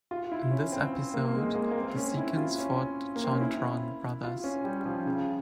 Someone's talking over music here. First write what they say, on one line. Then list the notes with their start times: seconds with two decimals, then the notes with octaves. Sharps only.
In this episode the Seacons fought the Jointron Brothers.
0.11 F4
0.32 E4
0.51 C#4
0.72 C4
0.93 C4
1.14 A#3
1.34 G#3
1.46 G#3
1.55 A#3
1.71 A#3
1.76 C4
1.96 C#4
2.17 E4
2.37 F4
2.58 C#4
3.16 A#3
3.24 C4
3.32 C#4
3.41 E4
4.23 F4
4.44 C#4
4.64 G3
4.85 F3
5.06 C#3